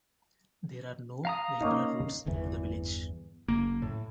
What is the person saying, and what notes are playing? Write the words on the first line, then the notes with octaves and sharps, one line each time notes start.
There are no vehicular routes to the village.
F5 A#5 D#6
A#3 C#4 D#4
G1 E2 E3
F#1 A#3
A2